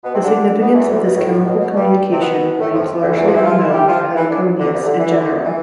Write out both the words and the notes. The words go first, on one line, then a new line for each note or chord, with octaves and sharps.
The significance of this chemical communication remains largely unknown for "Heliconius" in general.
B2 B3
C3 C4
D3 D4
B2 B3
E2 E3
D2 D3
B2
A2
B2
B2
G2 G3
C3 C4
B2 B3
A2 A3
F2 F3
D2 D3
E2 E3
F2 F3
E3 E4
F3 F4
E3 E4
G3 G4
F3 F4
E3 E4
D3 D4
D2 D3
C2 C3
D3
E3
D2 D3
E3